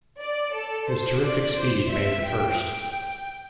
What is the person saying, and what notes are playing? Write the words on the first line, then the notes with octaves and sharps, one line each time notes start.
His terrific speed made the first.
D5
A4
C5
D5
C5
E5
G5
G5